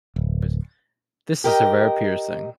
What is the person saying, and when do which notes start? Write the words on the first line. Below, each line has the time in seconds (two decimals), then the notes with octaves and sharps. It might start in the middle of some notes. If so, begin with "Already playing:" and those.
This is a rare piercing.
0.16 D1
1.44 G4 A#4 D#5 G5